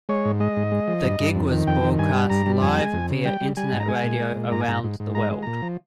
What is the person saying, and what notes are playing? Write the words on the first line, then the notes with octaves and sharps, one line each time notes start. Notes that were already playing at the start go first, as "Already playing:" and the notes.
The gig was broadcast live via Internet radio around the world.
G#3 C#5
G#2
G#3 D#5
G#2
G#3
F3
G2
G2
F2
D#3
F2 G5
D#3
G2 G#5
G3
G2 A#5
G3
F2 G#5
G#3
F2
C#3
G3 G5
G3
G3 G#5
G#2
A#5
G#3 G#5
A#2
G#3
A#2
G#2 A#5
G#5
G#2 A#5
G#2
G#2
G#3 A#5
G#3
A#2 A#5
F3